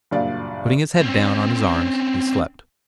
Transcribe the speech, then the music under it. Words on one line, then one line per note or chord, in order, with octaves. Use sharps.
Putting his head down on his arms, he slept.
F#1 G2 A#2 D5 F5
C4 C#4